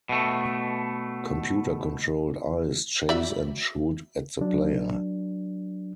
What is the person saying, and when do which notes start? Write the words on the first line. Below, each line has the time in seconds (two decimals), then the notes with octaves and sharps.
Computer-controlled eyes chase and shoot at the player.
0.09 B2 A3
3.09 F#4 D5 E5
4.41 F#3 D4